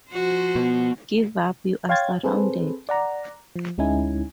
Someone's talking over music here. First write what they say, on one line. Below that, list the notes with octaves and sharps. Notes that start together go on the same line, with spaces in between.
Give up, you are surrounded!
F3 F#4 C5
B2
C#5 F5 G5 C6 G#6 A6
C4 G#4 A4 B4 C5
D5 F#5 A#5
F3
D2 G#3 C#4 D#4 E4 G#5